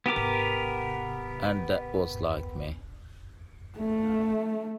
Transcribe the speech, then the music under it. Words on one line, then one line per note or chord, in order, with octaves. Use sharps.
And that was like me!
B3 G4 A#4 D6
A3